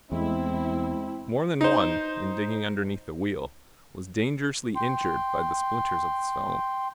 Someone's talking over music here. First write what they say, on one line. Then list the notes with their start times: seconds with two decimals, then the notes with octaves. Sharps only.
More than one, in digging underneath the wheel, was dangerously injured by the splinters of stone.
0.12 E2 G#3 A3 C4 E4
1.61 D#4 C5
4.76 G5 C6